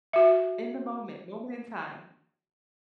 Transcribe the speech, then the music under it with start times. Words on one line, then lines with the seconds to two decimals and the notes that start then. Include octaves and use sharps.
In the moment, moment in time.
0.13 F#4 E5